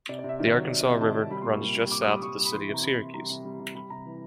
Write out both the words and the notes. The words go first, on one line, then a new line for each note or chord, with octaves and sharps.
The Arkansas River runs just south of the City of Syracuse.
C3 D5
D5
C3
E5
D#3 D5
F#3 C#5
F#3 D5
D5
C3 D#5
D#3 A5
C3
G3 B5
C6
A#2
C#6
G3
G3
G3 D6
D#6
G3
D6
G3 C#6
G3
B5
E3 C6
C3
A#5
C3 B5
C3
G3 A#5
C3
G3
C3
G3 B5
C3 A#5
E3